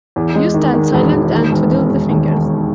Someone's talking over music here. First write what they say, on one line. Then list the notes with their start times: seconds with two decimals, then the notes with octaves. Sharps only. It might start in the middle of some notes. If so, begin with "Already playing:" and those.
You stand silent and twiddle the fingers.
0.16 E2
0.36 G#3
0.54 D#3
0.74 D#3
0.94 E1
1.13 E1
1.33 D#3
1.52 E1
1.71 D#2
1.90 E1
2.10 D#2